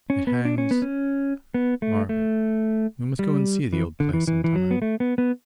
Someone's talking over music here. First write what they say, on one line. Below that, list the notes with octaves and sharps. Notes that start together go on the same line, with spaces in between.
It hangs--Margaret, we must go and see the old place some time.
C#4
B3
D4
C#4
B3
C#4
B3
A3
A3
G3
E3
D3
E3
E3
E3
F#3
B3
A3
B3
B3